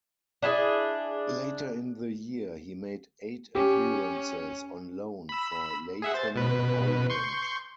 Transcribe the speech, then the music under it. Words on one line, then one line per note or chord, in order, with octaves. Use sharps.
Later in the year, he made eight appearances on loan for Leyton Orient.
D4 E4 G4 G#4
C#4 G4
B5 E6
G#4 E5 F#5
C5 A6
B2 B4
C6 C#6 G6